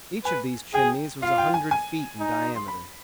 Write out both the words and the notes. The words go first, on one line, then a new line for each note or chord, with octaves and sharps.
Each of these chimneys was a hundred feet in diameter.
B4 G#5
G#4 G5
F4 F5
G5
G#5
G#5
D#4
C6
B5